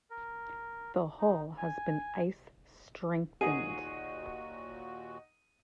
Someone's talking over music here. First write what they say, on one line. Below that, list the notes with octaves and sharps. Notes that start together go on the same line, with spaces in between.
The hull has been ice-strengthened.
A#4
D#4
G#5
D#2 A#2 D#4 F#4 G#4 F#5 D#6 D#7